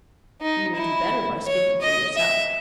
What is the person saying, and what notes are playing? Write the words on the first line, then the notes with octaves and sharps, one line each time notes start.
"You will do better by speaking for yourself."
D#4
E4
C#5
D#5
E5